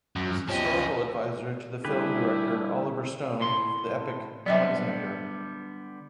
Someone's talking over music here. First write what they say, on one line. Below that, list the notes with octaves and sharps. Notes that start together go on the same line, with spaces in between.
He was historical advisor to the film director Oliver Stone for the epic "Alexander".
F#2
F3 C#4 G4 D#5
D3 G3 A3 E4 G4 G#4 B4
A2 C6
D3 F#3 G3 B3 D#5 E5